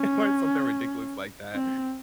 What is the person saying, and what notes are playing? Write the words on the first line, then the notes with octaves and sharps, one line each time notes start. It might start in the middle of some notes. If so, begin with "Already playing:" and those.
or something ridiculous like that,
Already playing: C#4
C4